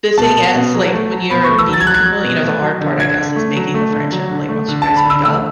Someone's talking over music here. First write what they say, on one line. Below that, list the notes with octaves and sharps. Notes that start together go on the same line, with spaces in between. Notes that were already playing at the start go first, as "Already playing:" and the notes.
the thing is, like, when you're meeting people, you know, the hard part, I guess, is making the friendship, like, once you guys meet up.
B2 A5
B2
B2
F#3
A3
F#3
B2 B5
C#6
A3
E6
F#3
A6
G#6
F#3 F#6
G#6
F#3
B2
A3
F#3
D3
D3 G#6
D3
A3
F#3
A3
D3
F#3
D3
A3
D3
A5
D3
B5
D3 E6
A3 E6